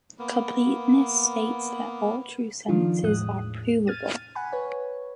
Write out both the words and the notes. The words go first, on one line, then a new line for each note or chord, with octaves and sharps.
Completeness states that all true sentences are provable.
A#3 B3
D#3 F3 D4 F4
E2 A2 G#3 D#6 F#6
F6 G#6 A6 D#7
F#5 G#5 B5
B4 C#5